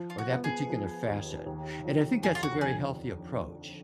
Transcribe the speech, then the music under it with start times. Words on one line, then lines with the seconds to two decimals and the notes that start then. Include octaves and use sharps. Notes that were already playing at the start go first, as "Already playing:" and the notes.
or that particular facet," and I think that's a very healthy approach,
Already playing: F3
0.10 F4
0.18 F#4
0.31 B3
0.44 G#4
0.69 F3
1.08 D#2
1.46 D#2
1.85 F3
2.23 F2 G#4
2.35 F4
2.43 F#4
2.61 D3 G#4